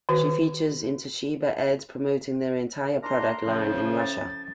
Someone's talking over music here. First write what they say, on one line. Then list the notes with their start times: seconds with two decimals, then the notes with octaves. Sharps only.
She features in Toshiba ads promoting their entire product line in Russia.
0.09 D#3 F#4 B4
3.03 D4 A#4 A#5 C6
3.46 A2 C#3 F3 C#4
3.99 A6